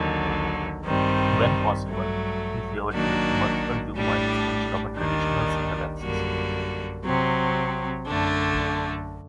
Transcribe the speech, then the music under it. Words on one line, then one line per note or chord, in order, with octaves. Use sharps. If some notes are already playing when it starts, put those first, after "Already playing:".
When possible, he favored creating multiple viewpoints, instead of a traditional single axis.
Already playing: D#2 D3 F#3
G2 D#3 G3 C4
G2 F#3 A3
D#3 F#3 A#3 D4 F#4
A2 G3 D4
D#2 D#3 G3 D4
F#2 D3 G3 A#3 F#4
C3 F#3 C4
F#2 D3 A3 D4